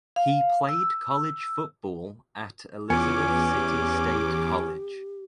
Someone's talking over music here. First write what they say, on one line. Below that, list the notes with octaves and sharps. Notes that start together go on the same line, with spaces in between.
He played college football at Elizabeth City State College.
F5
E6
E2 B3 C#4 F4 G#5 D6 C#7
G4